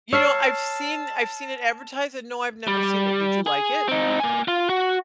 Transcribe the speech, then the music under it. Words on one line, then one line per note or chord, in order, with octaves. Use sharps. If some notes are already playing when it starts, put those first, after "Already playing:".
You know, I've seen I've seen it advertised and, no, I've never seen it Did you like it?
C#5 A5 E6 F6 C7
G3
G#4
C4 D#4
A#3 G#5
F4
F#4